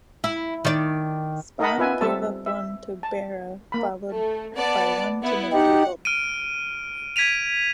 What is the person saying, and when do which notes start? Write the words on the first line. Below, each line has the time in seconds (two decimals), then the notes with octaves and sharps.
Spahn gave up one to Berra, followed by one to McDougald.
0.24 E4
0.65 D#3 D5
1.60 D#4 A#4 D#5 F#5 A5 B5
1.78 B3 F4 B4 E5 G#5
2.01 G3 C4 A4 E5 A5
2.46 E5
3.03 A5
3.72 A#3 B5
4.11 A3
4.56 B3 D5 A5
5.23 B3 E4
5.53 D#4 G4 F#5
6.05 F6 D7 D#7
7.16 G#6 B6 D7 D#7 F7